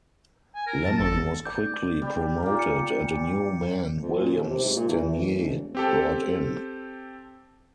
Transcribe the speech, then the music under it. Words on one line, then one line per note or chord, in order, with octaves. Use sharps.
Lemon was quickly promoted and a new man William Stanier brought in.
G#5
A#4
F#2 A5
G#1 A4
D5 G6
G3
A#2 A#3
C#7
F2
A#2
D#2
C3
G#2
A#2
E2
E3
A1
E1
C4 G4 A4